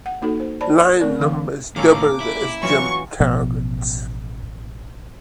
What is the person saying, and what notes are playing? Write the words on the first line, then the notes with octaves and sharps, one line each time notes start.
Line numbers doubled as jump targets.
F#5
A#3 D#4 F#4 A4
C5
C5 D5 A5 B5
A3 C4 A#4 D5
D3 E3 F5 D6
A2 D#3 A#3 C#4 A4 D6
E4
E3 F#3 C#4 F4 C#6
A1 B2 F3 B3